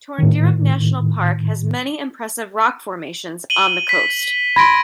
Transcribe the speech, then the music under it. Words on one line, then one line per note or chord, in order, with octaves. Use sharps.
Torndirrup National Park has many impressive rock formations on the coast.
A2 D#3
D#7 F#7 G7
B6
B5 C6 G#6 A#6 D7